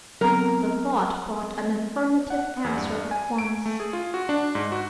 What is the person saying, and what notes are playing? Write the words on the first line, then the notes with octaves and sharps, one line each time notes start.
The thought brought an affirmative answer at once.
F#3 B3 C4 A#4
F#5
E2
G2
G#5
D7
A3
G#4
F4
F#4
D4
G#2
F#4